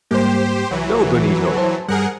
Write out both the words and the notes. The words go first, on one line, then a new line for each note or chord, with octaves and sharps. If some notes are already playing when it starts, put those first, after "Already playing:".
No, Benito!
G#2 G3 A#3 G4 C5
C2 E3 F#3
C5 A5
G2 G3 G#4 A#4 F#5